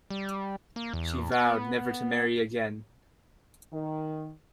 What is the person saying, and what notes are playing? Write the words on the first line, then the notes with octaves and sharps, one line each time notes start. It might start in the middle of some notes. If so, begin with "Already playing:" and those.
She vowed never to marry again.
G3
A#3
E2
B3
D#3